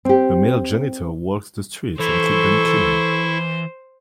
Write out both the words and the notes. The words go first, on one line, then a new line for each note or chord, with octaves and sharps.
A male janitor walks the streets and keeps them clean.
C4 G4
E3 E4 A4 C5 C#6